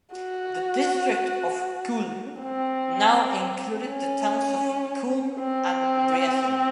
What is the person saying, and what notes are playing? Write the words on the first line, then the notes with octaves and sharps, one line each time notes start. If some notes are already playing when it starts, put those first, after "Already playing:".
The district of Kulm now included the towns of Kulm and Briesen.
F#4
C4
C#4
C4